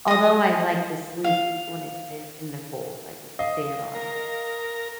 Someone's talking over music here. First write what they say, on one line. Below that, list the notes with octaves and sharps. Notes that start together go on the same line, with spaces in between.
Although I like to sleep when it in the in the cold, like with the fan on.
D#5 D#6
F5
D#5 F5
A#4